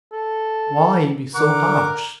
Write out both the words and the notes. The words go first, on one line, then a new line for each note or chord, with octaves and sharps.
Why be so harsh?
A4
D3 A#4 F#5 D6